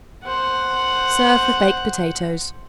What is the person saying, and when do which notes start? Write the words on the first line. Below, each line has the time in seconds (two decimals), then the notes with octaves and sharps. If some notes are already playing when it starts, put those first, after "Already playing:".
Serve with baked potatoes.
0.25 C5 F#5